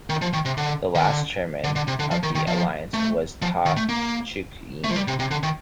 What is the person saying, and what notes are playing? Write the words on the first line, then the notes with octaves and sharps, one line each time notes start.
The last chairman of the alliance was Tai Cheuk-yin.
D#3
F3
D#3
C3
D3
D#3
D3
D3
D3
C3
D3
F3
D#3
D#3
F3
A3
F3
D#3
A3
A#3
A3
F3
G3
C3
C3
D3
D#3